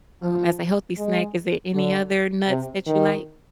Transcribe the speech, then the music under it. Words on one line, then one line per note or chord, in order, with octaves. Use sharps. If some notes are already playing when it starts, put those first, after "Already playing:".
um, as a healthy snack. Is there any other nuts that you like?
F3
G#3
D3
C3
D#3